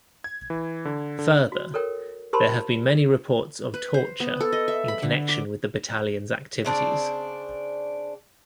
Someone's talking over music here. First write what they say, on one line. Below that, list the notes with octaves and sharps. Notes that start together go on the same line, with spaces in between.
Further, there have been many reports of torture in connection with the battalion's activities.
G#6
E3
D3
D3
F#4
A4 A#4 C#5 G5
G4 A#4 C5 A5 B5 C6
B4
C5
B3
A4
D#5
E5
B5
D3
D6
C#3 C4 D4 D5